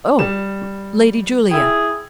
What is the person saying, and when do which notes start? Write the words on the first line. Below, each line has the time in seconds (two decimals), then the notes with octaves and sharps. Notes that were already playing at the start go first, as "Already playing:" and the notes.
"Oh, Lady Julia!"
0.19 G3 E7
1.51 E4 G#4 G5